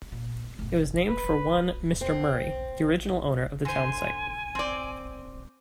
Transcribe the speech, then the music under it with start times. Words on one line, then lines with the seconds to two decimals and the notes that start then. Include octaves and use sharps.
It was named for one Mr. Murray, the original owner of the town site.
0.12 A#2
0.59 F#1 B2
1.08 B4
1.25 G#1
2.01 C4
3.65 D3 C5 G#5
4.55 C4 D5